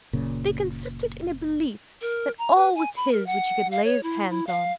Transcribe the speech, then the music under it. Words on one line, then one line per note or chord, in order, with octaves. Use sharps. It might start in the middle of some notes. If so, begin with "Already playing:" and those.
They consisted in a belief that all was his which he could lay his hands on.
F#1 A#2 C#3
A#4
A#5
B4
G#5
B5
A#4
F#5
F5
C#5
E4
E4
F5